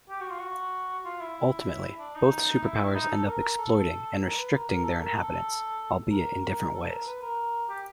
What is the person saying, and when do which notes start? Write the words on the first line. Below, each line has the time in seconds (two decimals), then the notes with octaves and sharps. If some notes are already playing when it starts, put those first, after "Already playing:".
Ultimately, both superpowers end up exploiting and restricting their inhabitants, albeit in different ways.
0.09 G4
0.20 F#4
0.30 F4
0.39 F#4
1.05 F4
1.21 E4
1.99 D4
2.15 D#4
2.62 E4
2.94 D#4
3.10 A4
3.25 A#4
3.58 A4
4.21 A#4
4.37 B4
4.52 A#4
4.69 A#4
4.83 A4
4.99 A#4
5.16 A4
6.11 A#4
6.42 A#4
6.73 A4
6.90 A#4
7.06 B4
7.22 A#4
7.69 G4